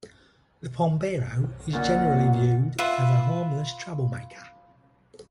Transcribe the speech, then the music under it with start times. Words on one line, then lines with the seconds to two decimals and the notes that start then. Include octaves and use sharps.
The Pombero is generally viewed as a harmless troublemaker.
1.73 F#2 A#2 D3 A#3 F#5
2.78 F4 B4 E5 F#5